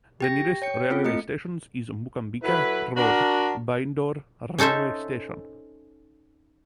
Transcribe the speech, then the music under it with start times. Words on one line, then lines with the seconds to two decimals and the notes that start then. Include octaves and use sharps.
The nearest railway stations is Mookambika Road Byndoor railway station.
0.20 G4 G5 A#6
0.62 C#5 G5 C#7
0.90 C4 F4 A4
1.05 A3 D#5 C#7
2.42 F#3 E4 A4 B4
2.97 D4 F#4 A#4
4.58 C#4 D#4 A4 C5 E5